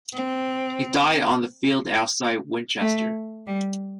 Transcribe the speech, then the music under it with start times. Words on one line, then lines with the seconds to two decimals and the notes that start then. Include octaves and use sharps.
He died on the field outside Winchester.
0.14 C4
2.80 A3
3.47 G3